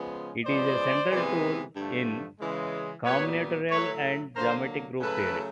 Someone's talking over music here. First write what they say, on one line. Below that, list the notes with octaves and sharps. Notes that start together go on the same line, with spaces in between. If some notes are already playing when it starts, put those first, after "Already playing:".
It is a central tool in combinatorial and geometric group theory.
Already playing: C#3 F3 G#3 B3
C#3 F3 G#3 B3 C5 D5
C3 E3 G#3 B3
G2 D3 F3 A3
C#3 E3 G#3
A#2 G3 B3 B4 C#5
A2 F#3 A3 B4 C#5
D3 F#3 A#3 A#4 C5
C#3 F#3 A3 A4 B4